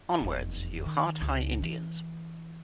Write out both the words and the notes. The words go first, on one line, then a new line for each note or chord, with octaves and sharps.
Onward you Hart High Indians.
F1 E2
D#3
C#2
E3